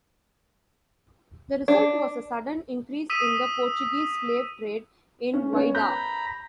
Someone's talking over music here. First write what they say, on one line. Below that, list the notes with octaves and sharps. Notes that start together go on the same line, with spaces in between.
The result was a sudden increase in the Portuguese slave trade in Whydah.
D4
D#6 E6 B6 D#7 E7
C#4
B3 C#4 C#5
A#5 B5 G6